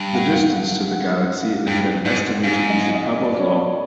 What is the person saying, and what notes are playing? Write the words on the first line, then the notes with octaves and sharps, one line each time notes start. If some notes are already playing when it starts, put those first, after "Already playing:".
The distance to the galaxy is then estimated using Hubble's Law.
Already playing: G2
F#5
F5
F#5
F#5
F#5
F#5
F5
G2 G5
G#2 F#5
G#2 F5
D#5
D#5
D5
C#5